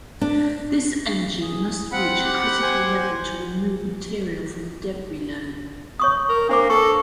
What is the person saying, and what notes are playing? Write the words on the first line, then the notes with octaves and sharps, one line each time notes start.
This energy must reach a critical level to remove material from the debris lobe.
D4
G#4
C4 F4 F#5 B5
G4
C5 G#5
C#5 C#6 D#6
A#4
A#3 D4 C5 D6
A4 C#6